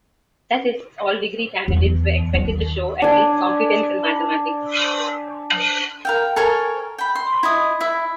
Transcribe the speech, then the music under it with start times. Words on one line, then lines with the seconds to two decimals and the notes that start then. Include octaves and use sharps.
That is, all degree candidates were expected to show at least competence in mathematics.
1.68 E2
2.34 D#2
3.02 D4 G#5
6.05 A#4 F5 G5
6.36 A4 A#4 C#5 G#5
6.98 G5 B5
7.15 C6
7.43 E4 D#5 D#6
7.80 E4 E5